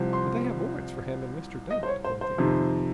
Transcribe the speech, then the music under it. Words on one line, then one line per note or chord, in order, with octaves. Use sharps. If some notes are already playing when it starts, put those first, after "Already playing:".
"But they have warrants for him and Mr. Damon," declared the inventor.
Already playing: C2 C3 F3 C4
C6
D#5
C5
C#5
C5
C5
F2 C3 D#3